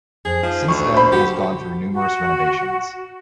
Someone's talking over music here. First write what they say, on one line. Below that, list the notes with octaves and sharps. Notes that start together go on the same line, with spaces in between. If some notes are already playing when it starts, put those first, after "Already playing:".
Since then it has gone through numerous renovations.
F2 G#4
F3 D#4
D2 C#6
C5 B5
D3 F#4 G4
F#4